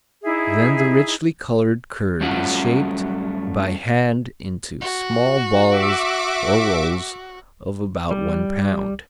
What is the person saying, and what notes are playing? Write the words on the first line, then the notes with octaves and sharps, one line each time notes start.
Then the richly colored curd is shaped by hand into small balls or rolls of about one pound.
D#4 E4 G#4 E5
G2 F#3 A3 C#4 F4 F#5
F#4
E5 D6
G3